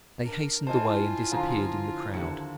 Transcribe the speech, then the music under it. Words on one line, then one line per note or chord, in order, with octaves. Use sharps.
They hastened away and disappeared in the crowd.
D4 A#4
E4 F4 C5 D#5 G#5 A5
D3 F3 C5 A#5
D#2 D3 E4 C#7